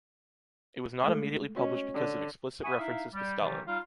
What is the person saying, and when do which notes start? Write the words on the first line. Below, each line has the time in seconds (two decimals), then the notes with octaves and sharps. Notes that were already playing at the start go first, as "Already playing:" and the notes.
It was not immediately published because of explicit references to Stalin.
1.03 G#3 A3 A4
1.56 C#4 F#4 D#5
1.95 D3
2.64 E5 F#5 G#5 B5 C#6 D#6
2.79 D#4 E4 E5 F5
3.14 G3
3.41 C3 D#3 E3 F#3 G3
3.67 G3 D#4 F4 F5